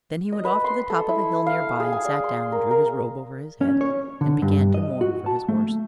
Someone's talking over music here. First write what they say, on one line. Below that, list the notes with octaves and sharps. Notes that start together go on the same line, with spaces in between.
Then he went off to the top of a hill near by, and sat down and drew his robe over his head, and began to mourn for his horse.
D#5
B4
C6
A4
E4
F5
G#4
G#5
D5
C6
A#4
A#4
C#4
C#5
D3
G2
D#5
F#4
A5
A3